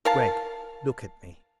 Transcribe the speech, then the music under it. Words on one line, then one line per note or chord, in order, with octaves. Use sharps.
"Gregg, look at me!"
A#4 F5 A5